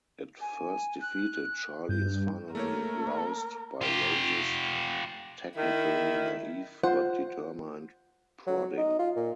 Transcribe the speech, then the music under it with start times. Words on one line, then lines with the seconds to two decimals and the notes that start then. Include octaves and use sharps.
At first defeated, Charlie is finally roused by Rose's technically naive but determined prodding.
0.40 G#5
1.01 F#6
1.89 G2 G6
2.55 A3 A#3 A#4 C#5
3.81 F4 G4
5.57 D#3 E4
6.83 F4 C5 F#5
8.47 F#3
8.77 D#4
8.99 F4
9.16 A#2